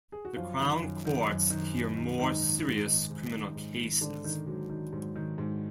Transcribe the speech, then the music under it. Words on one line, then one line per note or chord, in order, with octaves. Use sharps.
The Crown Courts hear more serious criminal cases.
G#4
F#4
F#2 F3 F4
D#3
F#2
D#3
F#2
D#3
F#2
D#3
G#2 D#3 D#4
D#3
G#2
D#3
G#2
D#3
G#2
D#3
G#2 D3 D4
D#3
G#2 F#3
D#3
G#2 F#3
D#3
G#2